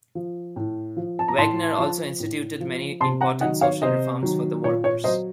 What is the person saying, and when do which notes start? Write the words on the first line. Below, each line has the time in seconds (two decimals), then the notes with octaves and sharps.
Wegner also instituted many important social reforms for the workers.
0.15 F3
0.56 A2
0.97 F3
1.19 A5
1.28 A#5
1.38 A2 A5 C6
1.78 F3
2.20 A2
2.60 F3
3.01 C3 A5 C6
3.21 F#5 A#5
3.41 D#3 F#3 D#5 F#5
3.61 C#5 F5
3.82 C3 C5 D#5
4.23 D#3 F#3
4.64 A#2 C#5
4.84 C#5
5.04 F#3 C5 D#5